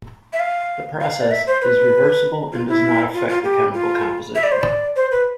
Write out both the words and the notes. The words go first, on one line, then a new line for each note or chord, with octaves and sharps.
The process is reversible and does not affect the chemical composition.
E5
F5
F5
D5
E5
C5
B4
F4
E4
F4
F4
G4
F4
E5
D5
C5
D5
C5
B4